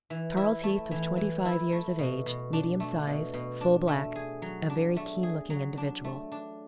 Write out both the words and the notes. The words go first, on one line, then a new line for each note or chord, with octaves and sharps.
Charles Heath was twenty-five years of age, medium size, full black, a very keen-looking individual.
E3
E4
A3
E3
E3
E4
A3
B2
B2
D4
A3
B2
B2
D4
A3
G#4
F#3
D4
A3
G#4
F#3
D4
A3
D4